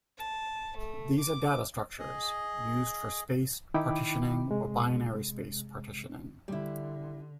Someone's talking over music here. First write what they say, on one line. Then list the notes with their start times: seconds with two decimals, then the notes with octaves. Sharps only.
These are data structures used for space partitioning or binary space partitioning.
0.18 A5
0.78 A3
1.20 D6
1.99 G#4 D#5
3.74 D#3 D#4 E4 G5 B5 D6
4.48 C3 G#3
6.48 D3 G3 E4